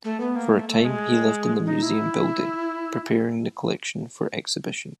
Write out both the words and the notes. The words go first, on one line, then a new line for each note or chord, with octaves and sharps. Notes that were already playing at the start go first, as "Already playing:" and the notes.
For a time he lived in the museum building, preparing the collection for exhibition.
A3
B3
A#3
A3
A3
G#3
D#4
E4